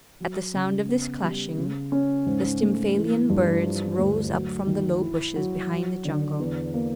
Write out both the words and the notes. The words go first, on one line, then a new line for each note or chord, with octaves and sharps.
At the sound of this clashing the Stymphalean birds rose up from the low bushes behind the jungle.
F#3
C#3
B3
G3
C#3
C#4
G#2
A3
E3
G2
F3
D2
F#3
D#3
E4
F#3
F#3
D3
E2
A#3